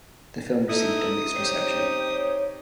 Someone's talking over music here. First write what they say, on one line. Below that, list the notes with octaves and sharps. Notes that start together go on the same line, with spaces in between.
The film received a mixed reception.
D#4 E4 A4 D#6
C4 D#4 G4 C#5
C#5